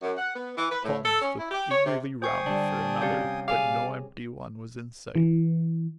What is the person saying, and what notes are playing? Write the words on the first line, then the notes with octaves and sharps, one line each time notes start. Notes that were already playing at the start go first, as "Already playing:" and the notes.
Holmes looked eagerly round for another, but no empty one was in sight.
F#2
F#5
B3
E3
B4
A2
A4
C#4
E4
G4
C#5
C3
C5 G5 G#5 C#6 D#6 C7
D3 G3 D4
C3 C#4 G4 F5 G6
G#4 D5 F5 G#5 D6
E3